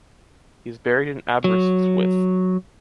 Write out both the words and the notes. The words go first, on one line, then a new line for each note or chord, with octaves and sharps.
He is buried in Aberystwyth.
F#3